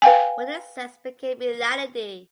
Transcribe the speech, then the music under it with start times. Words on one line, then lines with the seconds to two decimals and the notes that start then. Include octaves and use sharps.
What they sensed became reality.
0.02 B4 F5 G5 G#5